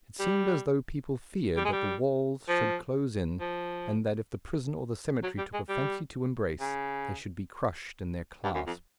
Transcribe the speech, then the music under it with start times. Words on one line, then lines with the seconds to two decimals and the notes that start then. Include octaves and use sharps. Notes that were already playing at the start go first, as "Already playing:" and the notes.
It seemed as though people feared that the walls should close in, and that if the prison or the cemetery took a fancy to embrace, they should be crushed in their clasp.
0.20 G3
1.57 G3
1.65 G#3
1.73 G3
2.49 F3
3.40 F3
5.23 F#3
5.38 G3
5.54 G#3
5.69 G3
6.60 C#3
8.44 G2
8.55 F#2
8.67 F2